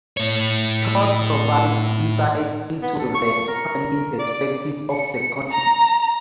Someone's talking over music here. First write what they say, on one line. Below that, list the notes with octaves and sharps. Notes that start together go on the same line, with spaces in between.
Toll provides insights into the Japanese perspective of the conflict.
A2 C#5
B3
A4
C#6
A#4
D5
C#7
A#5